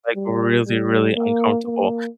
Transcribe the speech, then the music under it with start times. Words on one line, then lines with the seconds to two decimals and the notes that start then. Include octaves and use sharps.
like, really, really uncomfortable,
0.15 G3
0.65 G3
1.15 A#3
1.65 A#3